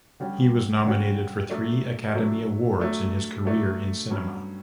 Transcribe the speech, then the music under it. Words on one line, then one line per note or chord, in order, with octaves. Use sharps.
He was nominated for three Academy Awards in his career in cinema.
D3 G3 C#4 F#4
D3 G3 C#4 F#4
F#3 A3 D4
F#3 A3 D4
F#3 A3 D4
F#3 A3 D4
G2 F#3 C#4